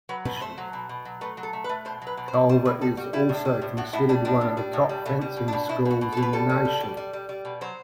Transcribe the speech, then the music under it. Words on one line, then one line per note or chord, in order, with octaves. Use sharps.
Culver is also considered one of the top fencing schools in the nation.
F#3 B4
B2 B4
A3 C5
F#3
B2
B2
F#3
A3 B4
F#3
A4
A3
B4
A3
B2 C5
F#3
B4
B2
C5
B2
G3 C5
A2 B4
G3 A4
G3 F#4
G3 E4
A2
D4
G3
A2
A2 F#4
A2 E4
G3 D4
A2 D4
A2
G3
A2
G3
B2 A3
G3
B2
D4
B2
B2 E4
B2
F#4
B2
B2 A4
B4
G3 A4
G3
B2
G3
G3
G3
G3
B2
F#3 C5